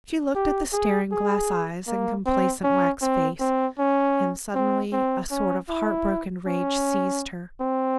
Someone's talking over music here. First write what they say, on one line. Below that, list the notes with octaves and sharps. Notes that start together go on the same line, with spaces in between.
She looked at the staring glass eyes and complacent wax face, and suddenly a sort of heartbroken rage seized her.
G4
G#4
G#4
A#3
C4
C#4
C4
C4
C#4
C4
C4
C#4
E4
C#4
C4